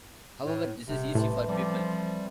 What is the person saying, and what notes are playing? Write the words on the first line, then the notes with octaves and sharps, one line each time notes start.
However, this is easy for people.
A2
D#1 C3
A2 E3 C5 A5
F3 G3 C4 A4 D5